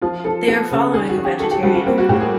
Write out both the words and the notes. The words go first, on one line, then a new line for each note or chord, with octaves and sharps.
They are following a vegetarian habit.
F3 F4
F3 A4
B3
C#3
D#3 G#4
F#4
D#3
G4
D#3 A4
G4
G3 F#4
F4
A#3 C4
F#4
A2 G4
G#4